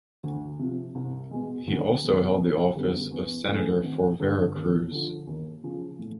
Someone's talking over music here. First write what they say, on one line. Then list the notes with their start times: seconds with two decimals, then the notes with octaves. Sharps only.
He also held the office of senator for Veracruz.
0.23 D2
0.59 C3 F3
0.95 C2
1.31 B2 G#3
1.67 D2
2.03 C3 D#3 G#3 B3
2.39 F#1
2.75 F#2 D3 G3 B3
3.11 E2
3.47 C#3 E3 A3
3.83 G#1
4.20 G2 D3
4.55 D#2
4.91 D3 F3
5.27 D#2
5.63 C#3 F3
5.99 A2